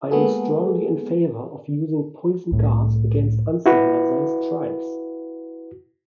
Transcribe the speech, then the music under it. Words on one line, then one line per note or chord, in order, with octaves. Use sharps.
I am strongly in favour of using poisoned gas against uncivilised tribes.
G#3 A#3 B3 F#4 G#4 A4
C2 A2
E4 F#4 B4